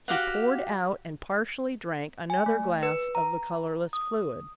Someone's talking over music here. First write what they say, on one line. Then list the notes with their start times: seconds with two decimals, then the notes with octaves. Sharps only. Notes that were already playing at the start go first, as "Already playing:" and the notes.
He poured out and partially drank another glass of the colourless fluid.
0.08 F#4 G4 F5 F#5
2.30 G#5
2.46 A3
2.83 B4
3.15 A#5
3.93 D#6